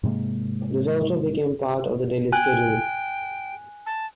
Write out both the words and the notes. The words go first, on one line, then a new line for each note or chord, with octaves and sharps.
This also became part of the daily schedule.
G#2 C3 G#3 A#3
G5 G#5 F#6
A5